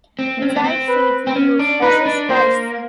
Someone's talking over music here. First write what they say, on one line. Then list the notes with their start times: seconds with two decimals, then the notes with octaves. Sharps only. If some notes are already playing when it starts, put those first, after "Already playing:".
Dried seeds are used as a spice.
0.19 C4
0.42 C#4
0.50 C4
0.56 B3
0.64 C4
0.89 B4
1.27 C4
1.36 C#4
1.59 D4
1.82 D#4 B4
2.06 D4
2.29 A#3 C5